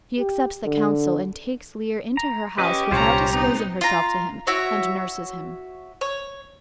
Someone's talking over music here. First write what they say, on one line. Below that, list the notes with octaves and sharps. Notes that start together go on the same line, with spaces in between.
She accepts the counsel and takes Leir into her house without disclosing herself to him, and nurses him.
G4
D3
A#5
C#4 G4 B4 D#5
C2 A#2 G3 C#4 F4 C5 C#5 A#5
B3 C4 D#4 C5 A#5
F4 A#5
E4 F#4 C#5 E5
C#5